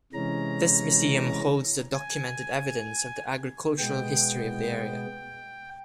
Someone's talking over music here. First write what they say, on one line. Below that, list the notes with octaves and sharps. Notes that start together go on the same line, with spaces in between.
This Museum holds the documented evidence of the agricultural history of the area.
C3 E3 G#3 C#4 A#5
G#5
B2 G#3 B3 G5